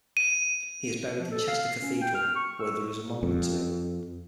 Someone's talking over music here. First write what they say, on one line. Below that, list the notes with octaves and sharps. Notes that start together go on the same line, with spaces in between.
He is buried in Chester Cathedral, where there is a monument to him.
D#7
F3
A4
F5
C#4
G5
F6
C#6
E6
F2